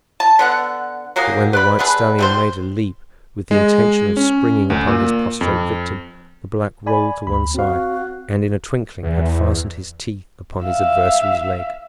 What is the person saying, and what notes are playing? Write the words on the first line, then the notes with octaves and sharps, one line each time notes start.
But when the white stallion made a leap, with the intention of springing upon his prostrate victim, the black rolled to one side, and in a twinkling had fastened his teeth upon his adversary's leg.
A5
D3 B3 F#5
F#3 A#3 G4 G#4
B4 D5 B5
B3 D4 G#4 B4
G3 A3 C5
G#3
C#4
D2
A#2
F2
D5 G#5 B5
D2 B5
C4 F#4 F5
E2
E5 F5